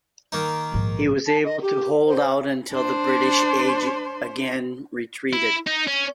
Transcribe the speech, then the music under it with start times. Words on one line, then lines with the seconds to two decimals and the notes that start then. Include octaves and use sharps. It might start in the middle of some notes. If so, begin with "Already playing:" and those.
He was able to hold out until the British again retreated.
0.32 D#3 A#3 D#4
0.72 A#1 G#2
1.27 A5
1.45 D#5
1.62 G4
2.06 C5
2.72 D4 C5
5.33 E4
5.67 D#4
5.87 C#4